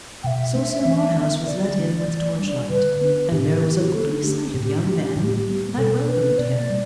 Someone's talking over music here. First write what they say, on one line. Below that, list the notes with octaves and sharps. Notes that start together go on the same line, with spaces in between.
So Sir Marhaus was let in with torchlight, and there was a goodly sight of young men that welcomed him.
B2 E5 G5
A3 D4
E3
B3 D4
D3 D5
A3 D4
E3
G3 D4
D3 B4
B3 D4
A2 G4
E3 B3
E4
G4
D3 A4
A3 D4 G4
A2
A3 D4
A2
G3 B3
B2 A4
B3 D4 B4
B2 D5
G3